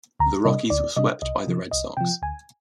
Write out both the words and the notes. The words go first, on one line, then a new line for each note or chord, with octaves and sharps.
The Rockies were swept by the Red Sox.
D2 A#5
C3 G3 D4 D#5
D2 D5
C3 G3 D4 D#5
C2 D#5
C3 F3
C2 D#5
C3 F3 G5
D2 G#5